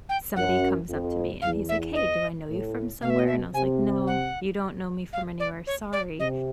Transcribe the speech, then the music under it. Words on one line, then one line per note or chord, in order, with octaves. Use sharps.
somebody comes up to me, and he's like, "Hey, do I know you from somewhere?" And I was like, "No, you don't know me from anywhere, sorry."
G5
F#2 F#5
F2
E2 F5
E5
D#5
A2
B2 F5
E5
D#5
E5
C3 G#5
F#5
F5
D5
C#5
D5
C3 D#5